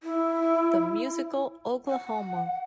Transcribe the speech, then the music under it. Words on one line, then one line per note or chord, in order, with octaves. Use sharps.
The musical Oklahoma!
E4
F#5